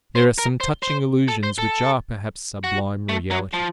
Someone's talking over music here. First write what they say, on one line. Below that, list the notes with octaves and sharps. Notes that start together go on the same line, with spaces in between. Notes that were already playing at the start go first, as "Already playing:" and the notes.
There are some touching illusions which are, perhaps, sublime realities.
C5
A#4
C5
C5
A4
C5
A4
F#4
A3
F#3
F3